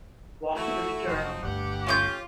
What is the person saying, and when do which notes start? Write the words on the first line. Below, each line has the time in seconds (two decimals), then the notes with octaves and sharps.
Wall Street Journal.
0.56 A3 E4 F#4
1.07 F1 F3 F#3 C4 D#4
1.43 G1 D2 G2 G4 D5 F#5
1.87 C#4 F4 C6 G6